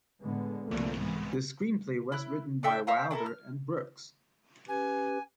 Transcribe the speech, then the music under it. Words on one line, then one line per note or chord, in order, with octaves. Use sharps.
The screenplay was written by Wilder and Brooks.
A2 D3 G#3 B3
C2 D3 F3 A3 A#3
G#2 E3 G#3 B3
E4 F#6
D4 A4 E5 G5
C5 E5 F5 A#5
D4 E4 A4 A#4
F6
C#4 G4 B4 G#5